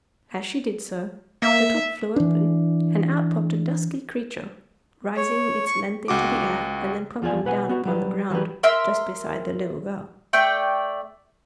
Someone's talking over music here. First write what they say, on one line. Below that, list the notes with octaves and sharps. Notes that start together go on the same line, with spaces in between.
As she did so the top flew open and out popped a dusky creature, rising its length into the air and then plumping down upon the ground just beside the little girl.
A#3 E5
E3 D4
C#5
C#6
C#2 F#4 D6
E2 F3 F4 G#4 D5 G#5
B1 B4 F#5 G#5
B3 F#4
F#3 G3 B4
E3 F#3 G3 G4 B4
A#4 E5 C6 E6
A3 D5 G5